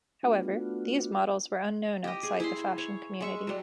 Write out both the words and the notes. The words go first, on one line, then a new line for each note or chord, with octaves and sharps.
However, these models were unknown outside the fashion community.
A3 B3 D4 F4 F#4
G4 D#5
G#4
E4 E5 C6
C#5
G#3 E5 C#6
F#3 G3